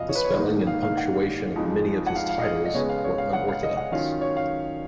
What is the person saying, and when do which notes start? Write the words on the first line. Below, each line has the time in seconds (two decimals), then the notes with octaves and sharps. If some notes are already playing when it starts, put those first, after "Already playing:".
The spelling and punctuation of many of his titles were unorthodox.
Already playing: F#2 C#3 F3 B3 D#5 F5
0.09 C#5
0.15 B4
0.24 C#5
0.37 G#2 D#3 A#3 D#4
0.67 F5
0.83 F5
0.97 F#5
1.56 F2 F3 G#3 D#4
2.06 F#5
2.16 F5
2.29 F5
2.40 D#5
2.44 F5
2.66 D#5
2.74 C#3 G#3 B3 C#5
2.90 F5
3.04 C#5
3.18 F5
3.33 F#5
3.48 F5
3.63 D#5
3.77 F#5
3.92 D#3 F#3 C#4 F4 F5
4.21 C#5
4.37 F5